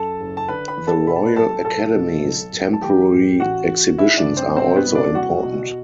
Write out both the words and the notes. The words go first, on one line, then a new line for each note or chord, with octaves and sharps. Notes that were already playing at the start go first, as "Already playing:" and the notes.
The Royal Academy's temporary exhibitions are also important.
Already playing: F#2 A4 A5
F#1
A5
D3 B4 B5
B4 B5
E2
A4 A5
B2 B5
A5
B4 B5
B1 A4 A5
B1 A4 A5
B2
B1
B1
A5
E3 G4 G5
A2
A1 F#4 F#5
A1
E3 E4 E5
D4 D5
G2
C4 C5
B2 C4 C5
B3 B4
C2
D4 D5
C2 F#4 F#5
B2